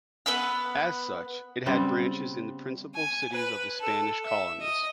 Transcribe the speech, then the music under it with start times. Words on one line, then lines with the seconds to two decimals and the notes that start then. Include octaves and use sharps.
As such, it had branches in the principal cities of the Spanish colonies.
0.26 B3 B4 F#5 E6
1.66 C#3 G3 B3 C4
2.95 G#5
3.32 B4
3.80 A4
4.26 E5
4.60 D#5